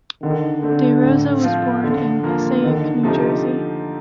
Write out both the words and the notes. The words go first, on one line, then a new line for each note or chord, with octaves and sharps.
DeRosa was born in Passaic, New Jersey.
D3 D#3
D3 A3 C4
A2
F3 C4 F4
D3
F3 A#3 F4
D3 D#3
C3 F3 A3 D#4 G4